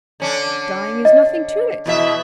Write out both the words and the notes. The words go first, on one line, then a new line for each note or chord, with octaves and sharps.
Dying is nothing to it.
D3 C#4 D4
D#5
E2 B2 E5